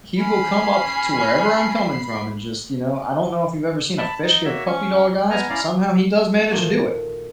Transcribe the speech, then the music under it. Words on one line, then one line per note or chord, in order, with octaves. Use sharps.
he will come up to wherever I'm coming from and just, you know, I don't know if you've ever seen a fish give puppy dog eyes, but somehow he does manage to do it,
C#4 B5 C7
A5 B5
D#4
A#3 F#4 C#5 E5
C#4 C#6
B3 G#5 A#5 F6
C#4 E4 D5 F5 A#5
A#2 D#3 A3 A#3 F#4 F#5